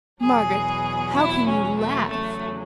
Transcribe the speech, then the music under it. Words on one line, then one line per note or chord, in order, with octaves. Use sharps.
"Margaret, how can you--laugh!"
E2 B2 F#3 G#4
E4
C#4
A3
E2 C#3 F#3 A3